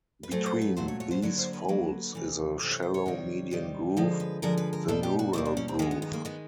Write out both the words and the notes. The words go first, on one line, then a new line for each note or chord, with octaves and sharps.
Between these folds is a shallow median groove, the neural groove.
B4
A#2 F#3 A3 C5
C5
B4
A#2 F#3 A3 C5
C#5
C#5
C5
D3 F#3 A#3 C#5
C5
B4
D3 F#3 A#3
C3 E3 A3
C3 E3 A3 C#5
C#5
C5
C#5
C3 D#3 G3
C3 D#3 G3
D3 F3 G#3
B4
D3 F3 G#3 A#4
B4
A#4
B2 G3 A#3 A4
G4
F#4
B2 G3 A#3 E4
D4
C#4
C4
D#3 G#3 A#3
B3
B3
A#3
D#3 G#3 B3